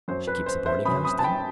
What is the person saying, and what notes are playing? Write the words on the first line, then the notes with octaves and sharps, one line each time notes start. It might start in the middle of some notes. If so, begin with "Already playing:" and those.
"She keeps a boarding-house, then?"
F#2 F#3 C5
B4
C5
C5 E5
F#2 F#3 B5 D#6
B5 D#6
A5
G5 B5